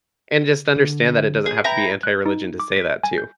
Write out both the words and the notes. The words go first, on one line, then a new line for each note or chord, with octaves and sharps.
And just understand that it doesn't have to be anti-religion to say that too.
D3
G#4
E4 B4 G5 A#5 B5
F#6
D#4
D6
B6
G#5
G6